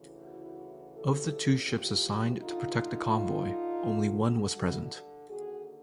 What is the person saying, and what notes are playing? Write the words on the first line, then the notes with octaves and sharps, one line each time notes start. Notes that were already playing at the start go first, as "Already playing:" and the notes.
Of the two ships assigned to protect the convoy, only one was present.
Already playing: D2 C#3 E3
E4 F#4
G4 A4
F4 G4
G2 D3 D#4 F4
E4 F#4
D#2 D3 F#4 G#4